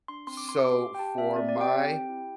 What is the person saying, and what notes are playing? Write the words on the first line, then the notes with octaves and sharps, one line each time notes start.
so for my,
D4 C6
C4 C6
D6
C4 C6
G4 D6
C6
G4
G5
G4 A5
C4 E5
C4 D5
D5
G4
G5
C4
G4
E4